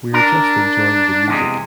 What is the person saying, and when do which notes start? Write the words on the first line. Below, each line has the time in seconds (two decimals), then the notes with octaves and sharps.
We're just enjoying the music.
0.14 D4 A#4
1.28 E2 C3 G#3